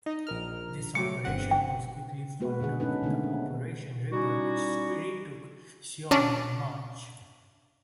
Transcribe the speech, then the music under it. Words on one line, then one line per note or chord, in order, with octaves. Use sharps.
This operation was quickly followed up with Operation Ripper, which retook Seoul in March.
D#4 D#5
A#1 A#4 F6
F#3 A3 D6 C#7
G1 C4 F#5
G5
G#3 A#3 B3 F#4 B4
D3 D#3 G#4 F#5
C#4 D#4 A4 B4
B2 D3 D#3 G#3 A3 B3
C4
G3 C#4 D#4 E4 F#4
C#4 D4